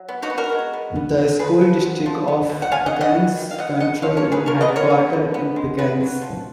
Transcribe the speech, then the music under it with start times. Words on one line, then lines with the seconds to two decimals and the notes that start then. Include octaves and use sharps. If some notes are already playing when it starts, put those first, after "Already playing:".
The School District of Pickens County is headquartered in Pickens.
Already playing: F#3
0.09 B3
0.22 D#4 F#4
0.30 B3
0.38 F#4 A#4
0.52 G#3
0.73 B3
0.96 B3
1.18 F#3
1.39 F3 G#4 B4
1.61 F3
1.84 B3
2.06 F3
2.28 B3
2.49 B2
2.62 F#5
2.72 B3 F5 G#5
2.86 D#5 F#5
2.93 C#3
3.01 D#5 F#5
3.15 B3
3.37 D#3
3.51 F5
3.58 B2 D#5 F#5
3.80 B2 D#5 F#5
4.02 F3 C#5 F5
4.17 A#4 C#5
4.25 F3
4.32 G#4 B4
4.46 F3 A#4 C#5
4.61 B4 D#5
4.68 B3
4.76 A#4 C#5
4.90 B3
5.13 F3
5.34 B3
5.56 G#3
5.78 B3 G#4 B4
6.01 F#3
6.21 F3